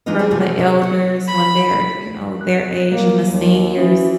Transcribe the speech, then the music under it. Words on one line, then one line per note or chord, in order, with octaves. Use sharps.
from the elders when they're, you know, their age and the seniors.
E3 G#3 D4 D#4 F4 D#5
F3 G3 C4 G#4
C3 E3 F3 A3 F4 G#4
C3
F#4 F#5
B5
F#6
F#3 G3 A#3
D#2
E3 C#4 F#4 D#6